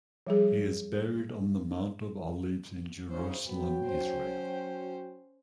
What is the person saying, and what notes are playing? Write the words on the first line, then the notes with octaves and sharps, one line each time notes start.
He is buried on the Mount of Olives in Jerusalem, Israel.
F3 G3 G#4
D2 G#2 C#3 C5
F#3 B3 F#4 G5
C#4 C5